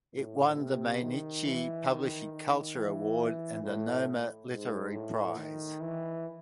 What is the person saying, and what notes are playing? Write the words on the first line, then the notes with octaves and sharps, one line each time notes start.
It won the Mainichi Publishing Culture Award and the Noma Literary Prize.
A2
C3
D#3
E3
D#3
D#3
E3
A2
G#2
A2
D#3
E3